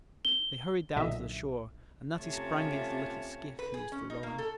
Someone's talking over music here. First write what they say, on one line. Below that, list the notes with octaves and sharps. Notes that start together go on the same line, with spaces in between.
They hurried down to the shore and Natty sprang into the little skiff he used for rowing.
G7
B1 A#2 D3 D#5 E5
C3 A3 C#4 F4 C#5 A5
B4
G#4
C#4
D#4
A#3
A4